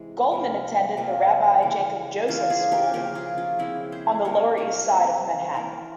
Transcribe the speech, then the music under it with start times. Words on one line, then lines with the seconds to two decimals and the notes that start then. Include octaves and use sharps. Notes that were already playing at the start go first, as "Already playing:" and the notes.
Goldman attended the Rabbi Jacob Joseph School on the Lower East Side of Manhattan.
Already playing: C3 E3 G#3
0.32 C3 F3 A#3
0.97 C3 F3 A#3
1.62 C#3 E3 A#3
2.28 C#3 E3 A#3 C#4 F4
2.50 F4 G#4
2.72 G4 A#4
2.94 C#3 F3 A#3 G4 A#4
3.15 F4 G#4
3.38 C#4 F4
3.59 C#3 F3 A#3 C4 E4
3.92 G#4 C5
4.25 C3 F3 A#3 A#4 C#5
4.57 A#4 C#5
4.91 C3 F3 A#3
5.56 E3 A#3